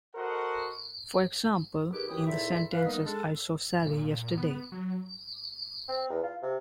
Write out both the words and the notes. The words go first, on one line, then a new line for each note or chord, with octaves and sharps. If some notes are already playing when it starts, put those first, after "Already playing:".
For example, in the sentences I saw Sally yesterday.
F#4 A4 A#4 C5 D#5 F#5
D#3 G4 G#4 B4 D6
F#2 E3 E4 G4 G5 D#6
C#2 A#2 D#4 E4 A4 E5
B4 F5
D#3 G3 A#3 B3 D#4
G#3 D4 A4
A#2
B3
F#3
C4
E2
F4
C3